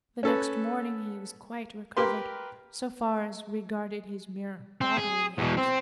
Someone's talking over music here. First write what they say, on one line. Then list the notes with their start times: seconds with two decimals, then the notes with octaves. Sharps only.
The next morning he was quite recovered, so far as regarded his mere bodily health.
0.23 C#4 A4 B4
1.97 G4 A#4 B4 C6
4.81 C4
4.97 G#4
5.38 E2 B2
5.57 C4